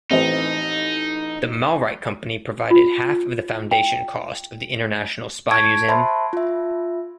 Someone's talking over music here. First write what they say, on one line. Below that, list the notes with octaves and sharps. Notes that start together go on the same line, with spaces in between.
The Malrite Company provided half of the foundation cost of the International Spy Museum.
A1 C4 D#4 B4 D#5
F4
G5
A5 C#6 G#6 D7
C5 E5 A5 B5 C6
F4 E5